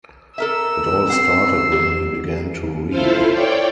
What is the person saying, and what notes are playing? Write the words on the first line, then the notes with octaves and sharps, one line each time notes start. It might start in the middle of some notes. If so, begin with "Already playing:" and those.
It all started when he began to read.
A4 A#4 E5 E6
C4 F#5 C7
G4
E4 F4 A4 C5 F5
C#5 D5 G5